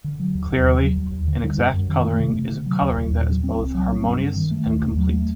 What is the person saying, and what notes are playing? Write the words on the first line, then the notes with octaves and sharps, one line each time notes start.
Clearly, an exact coloring is a coloring that is both harmonious and complete.
D3
F#3
D#2
D#2
D3
F#3
D#2
D#2
D3
G3
F#2
F#2
D#3
A3
C3
C3
D3
F#3
D#2
D#2
A#2
F#3
C4
C2
F#3
C4
G2
G2
D#3
A3
D#2
D#2
F#3
A3